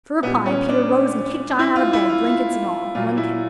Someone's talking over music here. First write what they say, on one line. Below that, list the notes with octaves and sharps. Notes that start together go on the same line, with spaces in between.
For reply Peter rose and kicked John out of bed, blankets and all; one kick.
A#2 G3 B3
C#4
D4
E4
F4
E4
F4
F4
A#2 F#3 F4
E4